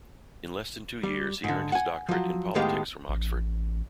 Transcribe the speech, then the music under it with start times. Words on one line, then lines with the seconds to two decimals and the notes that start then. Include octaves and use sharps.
In less than two years he earned his doctorate in politics from Oxford.
1.03 G3
1.44 G#2 D3
1.72 F#5 G#5
2.09 F3 F#3
2.55 A2 D#3 G#3 B3 G4 F5
3.09 A1